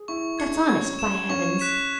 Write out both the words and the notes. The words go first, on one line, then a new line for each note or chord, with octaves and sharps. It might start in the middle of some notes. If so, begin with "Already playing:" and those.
That's honest, by heavens!
Already playing: G#4
E4 C#6
G#6 C#7
C#4 G#6
E7
C#4 C#6
F#6 B6 E7